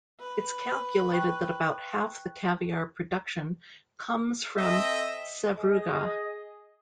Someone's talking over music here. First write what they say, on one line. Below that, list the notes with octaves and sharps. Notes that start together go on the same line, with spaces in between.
It's calculated that about half the caviar production comes from Sevruga.
B4
G5 C#6 F#6
C4 A4 D#5 E5
G#4 D#5